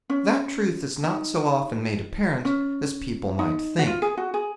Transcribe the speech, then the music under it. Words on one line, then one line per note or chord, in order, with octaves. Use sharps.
That truth is not so often made apparent as people might think.
C#4
D#4
C#4
D#4
F#4
F4
G#4
F#4
G#4